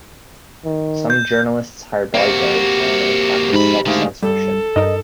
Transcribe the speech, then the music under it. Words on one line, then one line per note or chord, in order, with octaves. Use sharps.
Some journalists hire bodyguards, and many practice self-censorship.
D#3
G6
C3 A#3 F#4
C3
F2 G#2 B5
G#2 D3 D#3 A3 G#4 F5
G2 A4
G2 D#4 A#4 D#5